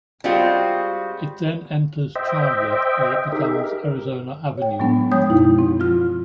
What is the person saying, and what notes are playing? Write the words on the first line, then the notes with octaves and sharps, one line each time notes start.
It then enters Chandler where it becomes Arizona Avenue.
G3 G#3 C4 F4 F#4
C5 D#5 E5 G5
D#4 G4 G#4 A#4 E5
A#4
C#5 G5
A2 F#3 G#3 B3 D4
F3 G#3 C#5 G5 D#6 G6
F#2 B2 D#4 E4
C4
F3 F4 F6